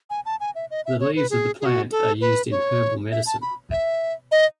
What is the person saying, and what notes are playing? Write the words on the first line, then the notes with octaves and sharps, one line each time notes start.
The leaves of the plant are used in herbal medicine.
G#5
A5
G#5
E5
D#5
E5
C#5
B4
G#4
G#4
F#4
A4
B4
C#5
E5
A5
B5
E5
D#5